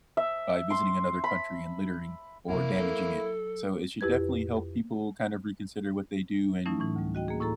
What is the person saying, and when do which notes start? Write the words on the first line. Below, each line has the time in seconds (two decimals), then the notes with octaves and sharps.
by visiting another country and littering or damaging it. So it should definitely help people kind of reconsider what they do and,
0.17 E5
0.70 C6
1.24 B5
2.48 E2 C3 A#3 E4
2.76 F#3 A4
4.01 F2 E4 G4 B4 G#6
6.65 E3 F#3 A3 C#4 D#4 E4
6.80 A2 E3
6.96 D2 G3
7.15 F#4 D#5 G5
7.28 A#3 G#4
7.40 A2 E4 A4 A#5